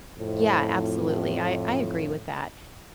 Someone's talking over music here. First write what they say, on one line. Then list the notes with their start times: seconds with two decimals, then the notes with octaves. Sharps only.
Yeah, absolutely. I I agree with that.
0.17 F2 A2